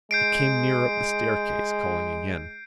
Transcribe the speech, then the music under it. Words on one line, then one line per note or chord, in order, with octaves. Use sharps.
It came nearer up the staircase, calling again.
G#3 G6 C7 D7